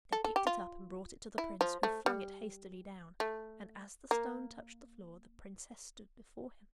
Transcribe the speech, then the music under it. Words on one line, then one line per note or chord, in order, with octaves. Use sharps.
They picked it up and brought it to the prince, who flung it hastily down, and as the stone touched the floor the princess stood before him.
A4
A4
G4
F4
E4
F3
A3
G3
A3
A#3